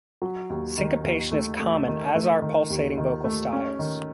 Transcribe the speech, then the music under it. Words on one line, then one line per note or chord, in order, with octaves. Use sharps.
Syncopation is common, as are pulsating vocal styles.
F#3
D#2
D#3
D#2
A3
A3
D#3
A3
D#3
D#2
D#3
A3
C#4
D#3